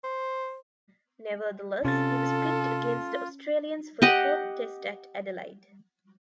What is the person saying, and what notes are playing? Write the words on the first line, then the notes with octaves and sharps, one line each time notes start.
Nevertheless, he was picked against the Australians for the fourth Test at Adelaide.
C5
C3 C#4 F4 A4 A6
G4 D#5 F#5